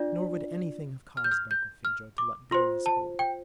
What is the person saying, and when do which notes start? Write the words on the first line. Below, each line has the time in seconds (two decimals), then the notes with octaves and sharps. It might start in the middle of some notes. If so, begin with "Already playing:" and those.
Nor would anything have caused Barkilphedro to let go his hold.
Already playing: D4 F4 D5
1.17 F6
1.24 G6
1.32 F6
1.51 G6
1.85 F6
2.18 D6
2.51 F4 C5 C6
2.86 A5
3.19 G5